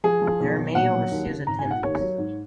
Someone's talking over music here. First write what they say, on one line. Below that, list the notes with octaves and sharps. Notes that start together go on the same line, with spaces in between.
There are many overseas attendees.
F3 G#4
F3
B1
B1
A#1 F#5
F#3
D#2
C#3
G#1 A#5
G#5
G#2
F#5
D#2 C#5
F#3
G#2